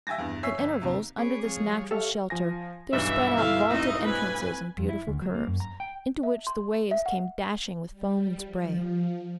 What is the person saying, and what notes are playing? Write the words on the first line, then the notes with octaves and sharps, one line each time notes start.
At intervals, under this natural shelter, there spread out vaulted entrances in beautiful curves, into which the waves came dashing with foam and spray.
E5 G5 G#5 A6 A#6
E2 G2
C#5 E5 G#5 E6 B6 C7
G1
D#2 C3
C4 G#4 B4 C#5 D6
F3 G#3 C#5
G3
G4 A4 C#5 E5 F5
F3 G#5 A#6
B1 G2 E3 D#4 E5
D3 E3 E4 F5
A2 C4 D#4 D#5 E6
B4 G#5
F2
E4
D2
F#3
A#3
F#2
A#5
G5
E5
C6
E5
F#5
G3
F3